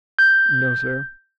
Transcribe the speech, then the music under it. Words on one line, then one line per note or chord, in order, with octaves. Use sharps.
"No, sir."
G6